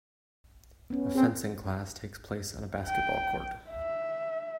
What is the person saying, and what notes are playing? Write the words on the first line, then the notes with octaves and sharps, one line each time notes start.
A fencing class takes place on a basketball court.
B3 C#4
C4 G#4
G5
E5